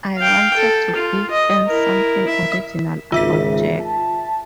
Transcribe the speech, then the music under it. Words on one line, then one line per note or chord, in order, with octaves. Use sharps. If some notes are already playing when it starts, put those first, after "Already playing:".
I wanted to give fans something original about Jack.
F5 G5
A4
F4
D#5
E4 A#4
E5
G#1 C#2 F4 E5 B6
A5